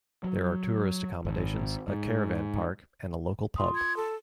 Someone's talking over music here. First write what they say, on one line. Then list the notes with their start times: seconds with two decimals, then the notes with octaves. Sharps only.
There are tourist accommodations, a caravan park, and a local pub.
0.24 F#3
1.25 G#1
1.88 G#2
3.56 F4 C6 D#6
3.75 G#6
3.97 A4